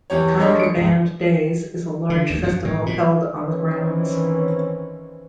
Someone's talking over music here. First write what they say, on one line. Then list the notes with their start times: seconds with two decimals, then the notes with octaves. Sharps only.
Contraband Days is a large festival held on the grounds.
0.10 E2 E3 G4 C#5
0.39 G3 G#3 D4 A4 C#5 D#5
0.60 C#7 D7
0.76 C#2 G#2
2.10 D3
2.30 D2
2.43 F#2
2.65 A2
2.86 A#2
3.41 D#3 E3 C4 C#4